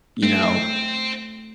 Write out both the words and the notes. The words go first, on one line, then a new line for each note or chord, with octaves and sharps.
you know,
A3 C4